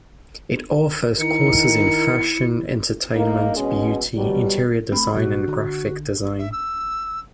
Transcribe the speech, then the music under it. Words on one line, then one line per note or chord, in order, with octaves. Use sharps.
It offers courses in fashion, entertainment, beauty, interior design, and graphic design.
D#3 E4 A#4 C#7
A#3 D#4
B2 G#3 C#4
B2 F#3 G3
A3 C4 B5
A#2 G3 F#4
D3
E5
E6